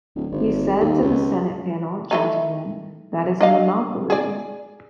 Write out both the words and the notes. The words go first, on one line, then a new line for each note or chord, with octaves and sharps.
He said to the Senate panel, Gentlemen, that is a monopoly.
D1
G#1
D#2
C#2
E3 A3 D#4
D4 D#5 F5
G#4 D5